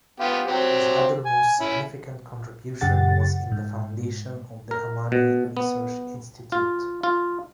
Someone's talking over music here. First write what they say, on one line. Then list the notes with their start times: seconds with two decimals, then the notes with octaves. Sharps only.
His other most significant contribution was in the foundation of the Amani Research Institute.
0.20 B3 F4 G4
0.47 F#3 C4 G4
1.26 G#5
1.60 C#4 E4
2.81 F#2 C#3 G4 F#5 A6
3.52 G#2
4.71 A#4
5.12 B2
5.57 B3
6.52 F4
7.03 F4